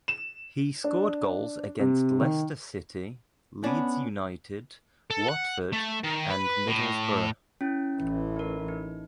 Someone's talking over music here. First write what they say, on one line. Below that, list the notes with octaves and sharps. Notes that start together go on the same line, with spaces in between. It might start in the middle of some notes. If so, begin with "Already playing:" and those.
He scored goals against Leicester City, Leeds United, Watford and Middlesbrough.
E7
D4
C3
D#3
B3 C#4 D4
A4
F#5
A3
D#3
B4
A2
C#4 E4
A1 E3
D#4 A#4
D#4